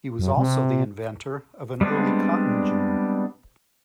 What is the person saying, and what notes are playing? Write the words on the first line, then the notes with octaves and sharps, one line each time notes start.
He was also the inventor of an early cotton gin.
F#2
C3
G3 G#3 B3 C4 D4